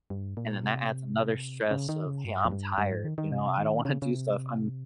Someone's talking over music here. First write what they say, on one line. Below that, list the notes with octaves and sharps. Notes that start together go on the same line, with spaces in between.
And then, that adds another stress of, "Hey, I'm tired," you know? "I don't wanna do stuff, I'm"
G2
A#2
C3
C#3
D#3
C#3
G2
F2
G2
G2
G#2
D#3
D#3
C3
C#3
C3
D#3
C#3
C#3
C3